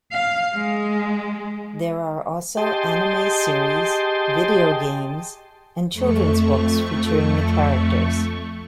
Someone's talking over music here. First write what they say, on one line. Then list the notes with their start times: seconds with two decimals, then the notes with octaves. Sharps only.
There are also anime series, video games and children's books featuring the characters.
0.12 F5
0.55 G#3
2.57 G4 G#4 D#5 G5 A5 C6
5.92 F2 A3 C#6